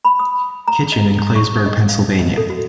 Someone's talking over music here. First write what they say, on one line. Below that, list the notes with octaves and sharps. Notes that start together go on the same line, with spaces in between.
Kitchen in Claysburg, Pennsylvania.
B5
D#6
A#5
D#5
C#6
D#5
F5
D#5
A4
F#4